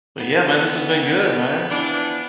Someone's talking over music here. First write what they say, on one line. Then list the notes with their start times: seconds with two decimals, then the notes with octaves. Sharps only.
But, yeah, man, this has been good, man.
0.17 B3
1.71 E3 F3 D4